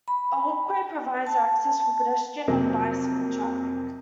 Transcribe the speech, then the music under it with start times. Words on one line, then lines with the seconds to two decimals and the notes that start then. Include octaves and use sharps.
A walkway provides access for pedestrian and bicycle traffic.
0.08 B5
1.27 A5
2.48 F2 C3 F#3 A#3 C4